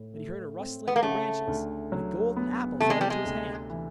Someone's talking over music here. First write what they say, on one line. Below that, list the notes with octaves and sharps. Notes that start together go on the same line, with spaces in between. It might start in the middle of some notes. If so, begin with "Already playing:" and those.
But he heard a rustling in the branches, and a golden apple fell into his hand.
Already playing: A2
A3
C4
B3
A#3
C#3 A3
D2
F#3
B3
C3 A3
G#3
G3
G#3
D2
E3